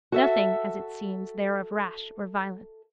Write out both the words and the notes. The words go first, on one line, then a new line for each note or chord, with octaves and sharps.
Nothing, as it seems, there of rash or violent.
F#4 A4 E5